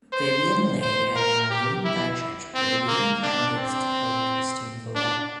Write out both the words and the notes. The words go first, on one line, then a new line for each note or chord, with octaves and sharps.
Vivien Leigh and Marlene Dietrich were leading candidates to play Christine Vole.
C5
C5
A#4
G4
E4
C4
A#3
D4
C4
D4